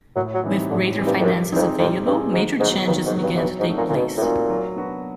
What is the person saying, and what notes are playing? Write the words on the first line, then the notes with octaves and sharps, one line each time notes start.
With greater finances available, major changes began to take place.
A2 F#3
F#3
E3 G3 C4 D#4
A2 D3
E3 G3 C4 D#4
G2
F2
F#2 G3
E2 C4 D#4 G#4
F2
F2 G3
G2 C4 D#4 G#4
G#2 D#3
G#2 F#3 B3
G2 D#3
G#2
F#3 B3
G2
G#2
G2 F#3
G#2
A3 C4 D#4 F#4
A#2
A#2
B2 F#3
A2
A#2 A3 C4 D#4 F#4
F#3
B3 D4 F#4 B4